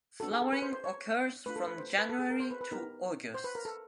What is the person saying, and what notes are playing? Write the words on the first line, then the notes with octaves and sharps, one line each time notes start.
Flowering occurs from January to August.
B3 D4 F#4 A4
G#4
A4
B4
C5
C5
C#5
A3 D4 F4 B4
A4
B4
C5
B4
A4
G#4
A#4
C5
B4
B4
B3 D#4 G4 A#4
C5
B4
A#4
A4